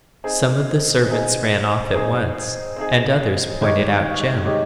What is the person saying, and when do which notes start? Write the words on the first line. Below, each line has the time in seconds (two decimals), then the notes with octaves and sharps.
Some of the servants ran off at once, and others pointed out Jem.
0.24 C4 D#4 G#4
1.08 C4 D#4 G#4
1.93 C4 D#4 G#4
2.76 C4 D#4 G#4
3.61 D#3 G#3 D#4 G4 C#5
4.45 D#3 G#3 D#4 G4 C#5